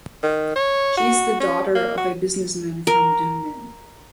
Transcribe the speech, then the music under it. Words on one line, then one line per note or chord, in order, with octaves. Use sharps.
She is the daughter of a businessman from Dülmen.
D#3
C#5
F#4
C#4
A#3
F#4
A#4